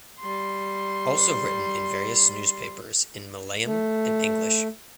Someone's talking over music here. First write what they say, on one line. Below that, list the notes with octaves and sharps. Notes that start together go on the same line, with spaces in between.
Also written in various newspapers in Malayalam and English.
G3 C6
A3